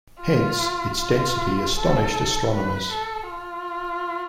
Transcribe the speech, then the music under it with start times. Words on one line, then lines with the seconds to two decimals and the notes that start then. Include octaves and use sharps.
Hence, its density astonished astronomers.
0.21 F4
0.98 F4
1.77 A4
2.54 B4
2.92 A4
3.30 F4